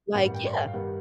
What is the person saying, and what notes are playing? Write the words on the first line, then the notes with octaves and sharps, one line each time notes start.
like yeah.
A1 G2 D#3 G3 F#5
G5
G5
F5
G2 D#3 G3 F#5